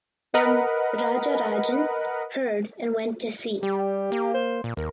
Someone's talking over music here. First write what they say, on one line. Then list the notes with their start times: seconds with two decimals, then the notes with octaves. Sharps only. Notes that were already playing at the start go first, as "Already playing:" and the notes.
When Rajarajan heard and went to see.
0.34 A#4 B4 D#5 F#5
3.63 G3 G4
4.12 A#3
4.34 C5
4.64 A#2
4.77 D#2 A#4